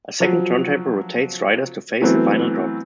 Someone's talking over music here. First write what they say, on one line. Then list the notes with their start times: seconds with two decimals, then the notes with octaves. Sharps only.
A second turntable rotates riders to face the final drop.
0.20 F3 F#3
2.02 E3 F#3 A3 B3 C4